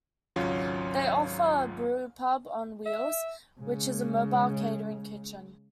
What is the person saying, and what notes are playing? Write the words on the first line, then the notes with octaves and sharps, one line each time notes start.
They offer a brewpub on wheels, which is a mobile catering kitchen.
G#1 C#2 F#3 C#4 F4 C#5
E5
C#3 G#3